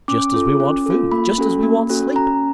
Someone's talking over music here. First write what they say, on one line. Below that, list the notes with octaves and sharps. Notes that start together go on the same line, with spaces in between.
Just as we want food, just as we want sleep.
C#4 D6
F4 A4
C#4
F4 A4
A#3 B5
C#4 F#4 A4
A#3
C#4 F#4 A4
C#4 A#5